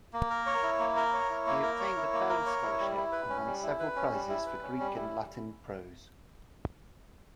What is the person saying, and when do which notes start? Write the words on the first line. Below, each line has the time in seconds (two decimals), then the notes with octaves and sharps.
He obtained a Bell scholarship and won several prizes for Greek and Latin prose.
0.13 A#3
0.30 A#4
0.46 C#5
0.63 E4
0.79 A#3
0.96 A#4
1.13 C#5
1.30 E4
1.46 A#3
1.63 A#4
1.80 C#5
1.96 E4
2.13 A#3
2.30 A#4
2.46 C#5
2.63 E4
2.80 G3
2.97 E4
3.12 B4
3.30 C#4
3.46 G3
3.62 E4
3.79 B4
3.96 C#4
4.13 G3
4.29 E4
4.46 B4
4.63 C#4
4.80 G3
4.96 E4